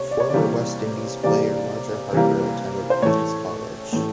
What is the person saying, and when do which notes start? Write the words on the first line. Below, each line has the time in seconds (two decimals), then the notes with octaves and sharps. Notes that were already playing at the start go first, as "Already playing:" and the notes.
Former West Indies player Roger Harper attended Queen's College.
Already playing: C3 C#5
0.11 D5
0.20 C#5
0.29 C3 E3 G3 A#3 D5
1.23 C3 E3 G3 A#3 D5
2.13 C3 E3 G3 A#3
2.90 C5
3.02 A2 E3 A3 C#5
3.93 A2 E3 A3